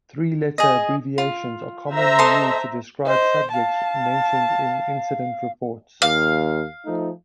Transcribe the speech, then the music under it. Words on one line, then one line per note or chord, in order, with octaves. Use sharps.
Three letter abbreviations are commonly used to describe subjects mentioned in incident reports.
G#4 D#5
F4
C5 E5 A#5
A4 D#5 C6
C5 D#5
F5 A5
D#2 F5
F3 A3 D#4